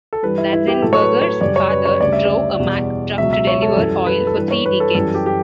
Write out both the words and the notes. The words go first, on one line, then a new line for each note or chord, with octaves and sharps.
Ratzenberger's father drove a Mack truck to deliver oil for three decades.
A4
G2 E3 G3 B4
E4
E4
G4
A2 F#3 A4
C#5
B4
C#5
F#2 C#3 G3 D5
C#5
B4
C#5
D2 C#3 G3 D5
E5
D5
E2 B2 G3
C#2 B2 F#3 E5
E5
C#5
A4
F#2 E3 G3 A4
B4
A4
G2 E3 G3 B4
C#5
B4
A4
F#2 E3 G3 A4
G4
G4